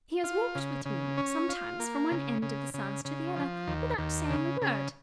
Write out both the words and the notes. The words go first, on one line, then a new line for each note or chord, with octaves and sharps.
He has walked with me, sometimes, from one end of the sands to the other, without saying a word.
F4
C#3
C#3
C#4
F4
A#3
C#3
C#3
C#3
C#3
F3
D#2
D#2
C#3
C#3